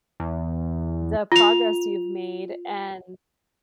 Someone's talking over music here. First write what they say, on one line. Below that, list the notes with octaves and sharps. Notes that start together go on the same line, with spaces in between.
the progress you've made and
E2
F4 F7